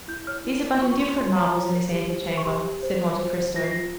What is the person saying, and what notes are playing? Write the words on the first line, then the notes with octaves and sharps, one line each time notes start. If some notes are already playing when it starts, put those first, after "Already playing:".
"These are but indifferent marbles in this ante-chamber," said Monte Cristo.
E4 G6
C#5 F6
E4
A#4
F4 C#6
C#6
A#4 C6
F4 C6
C#5 A#5
F4
A#4
G4
C5
C5
C#6
G4 C6
G4
C5
F4
C5
C5
F4 A#6
C7
F4 A#6